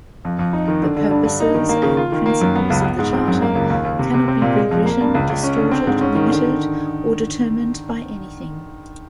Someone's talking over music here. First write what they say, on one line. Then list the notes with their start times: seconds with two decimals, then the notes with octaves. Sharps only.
The purposes and principles of the Charter cannot be rewritten, distorted, limited or determined by anything.
0.25 F2
0.39 F2
0.53 D#4
0.68 D#3
0.82 D3
0.97 D3
1.11 G2
1.25 G2
1.40 D#4
1.55 D#3
1.69 A#3
1.82 C#3
1.97 F4
2.12 D#3
2.26 A#3
2.41 F#2
2.56 B3
2.70 C#2
2.84 B3
2.99 G#2
3.13 C4
3.28 F#2
3.42 A#3
3.55 C#2
3.70 D#2
3.85 D#2
3.99 C3
4.14 C3
4.28 C4
4.42 A#2
4.56 G#3
4.71 F2
4.86 A#3
5.01 G2
5.15 C#2
5.29 C#2
5.43 C#4
5.57 D3
5.71 C4
5.87 G#2
6.01 C#4
6.15 D#3
6.30 D3